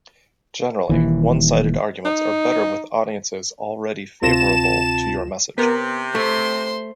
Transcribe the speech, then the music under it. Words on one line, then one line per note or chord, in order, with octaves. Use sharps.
Generally, one-sided arguments are better with audiences already favorable to your message.
D#1 D#2 E3
D#4
D2 C3 C4 F4 A5 A#6 E7
C3 B3 A#4
A3 C5 C6